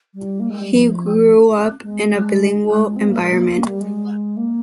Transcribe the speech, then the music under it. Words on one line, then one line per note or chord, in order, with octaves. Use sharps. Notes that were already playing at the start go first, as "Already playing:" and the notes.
He grew up in a bilingual environment.
G3
A#3
G#3
G3
F3
G#3
C4
A#3
G#3
A#3
A#3
G3
G#3
A#3